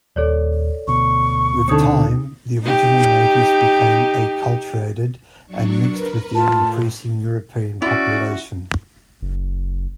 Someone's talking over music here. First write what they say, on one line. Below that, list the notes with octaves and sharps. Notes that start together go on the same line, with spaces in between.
With time the original natives became acculturated and mixed with the increasing European population.
D#1 D#2 A4 C#5 D5
D2 B2 C#6
D3 C4 D#4 D#6 C#7
D#4 G4
F#3 D4 C#6
A#4 B4
A2 F4 A5
C#4 E4 F#4 D5
F#1